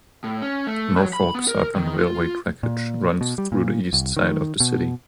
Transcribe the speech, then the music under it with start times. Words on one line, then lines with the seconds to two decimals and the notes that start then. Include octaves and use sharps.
Norfolk Southern Railway trackage runs through the east side of the city.
0.24 A2
0.42 C#4
0.67 A3
0.97 F#3
1.13 B5
1.35 B3
1.48 A#4
1.75 D#3
1.99 F4
2.63 A#2
3.21 B2
3.38 G3
3.52 A#2
3.93 C2
4.17 D#3
4.60 B2